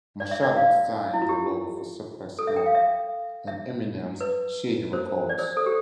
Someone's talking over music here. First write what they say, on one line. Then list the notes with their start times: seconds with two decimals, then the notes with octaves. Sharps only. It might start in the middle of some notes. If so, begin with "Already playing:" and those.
Machado designed the logo for Cypress Hill and Eminem's Shady Records.
0.20 D5
0.31 E5
0.43 D5
0.56 F5
1.13 E4
1.22 F4
1.29 G4
2.39 A4
2.47 E5
2.56 G5
2.66 F5
2.75 E5
3.48 E5
4.21 B4
4.93 C5
5.29 D5
5.38 C5
5.57 A4
5.66 G4